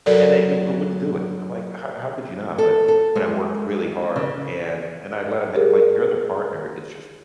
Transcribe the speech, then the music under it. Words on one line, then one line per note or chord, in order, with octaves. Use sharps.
and they d wouldn't do it. I'm like, "How how could you not?" But but I worked really hard, and and I'd let 'em like, "Your other partner is just
F#2 A4 A#4 D5
A4
A4
G#3
C#3
G4 G#4 A#4